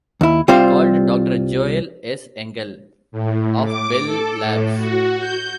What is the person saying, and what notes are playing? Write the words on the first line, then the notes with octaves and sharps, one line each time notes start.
He called Doctor Joel S. Engel of Bell Labs.
D#2 E4
C2 G3 C4 F4 C5
A2
D6
A4
A2
F#4
G6